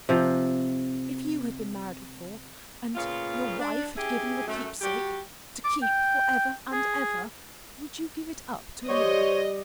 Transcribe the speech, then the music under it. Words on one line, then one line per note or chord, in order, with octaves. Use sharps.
If you had been married before, and your wife had given you a keepsake,--to keep for ever and ever, would you give it up to a lawyer?
C3 F3
A#2 C#3 B3 F4
D4
C#4 E4 G4 G#4
F#2 A3
G3 F#4 G4
D6
G5
G#4
G3 G4 C5 C#5 D#5 G5